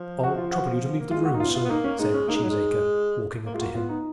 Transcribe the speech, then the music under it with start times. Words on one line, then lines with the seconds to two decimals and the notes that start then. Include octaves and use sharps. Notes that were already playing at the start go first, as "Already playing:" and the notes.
"I'll trouble you to leave the room, sir," said Cheesacre, walking up to him.
Already playing: F3
0.23 F#4
0.38 F4
0.52 F#4
1.00 A#3
1.11 G#3 F4
1.25 F#4
1.30 A#3 D#4
1.40 F4
1.45 C#4
1.50 B3
1.55 F4
1.64 B3
1.70 A#3 D#4
1.84 C#4
1.99 G#3 D#4
2.14 C#4
2.28 A#3 D#4
2.35 G#3
2.43 F#3
2.50 G#3
3.45 A#3
3.54 G#3 F4
3.60 A#3 F#4
3.74 B3 F4
3.89 D#4